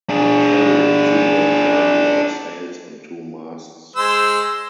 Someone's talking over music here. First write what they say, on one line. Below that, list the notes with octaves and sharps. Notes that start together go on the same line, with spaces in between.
It carried two rectangular sails on two masts.
D4 G#4
G#3 C5 E6